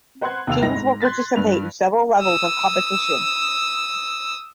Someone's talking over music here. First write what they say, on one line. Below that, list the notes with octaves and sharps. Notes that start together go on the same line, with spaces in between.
Teams will participate in several levels of competition.
B4 C5 F#5 C6 F#6 G#6
D#2 C3 F5 E6 F7
G1 D#4 A#6
G#2
C6 F#6 G#6 A6 B6
G2 B4 F7
D#6 E6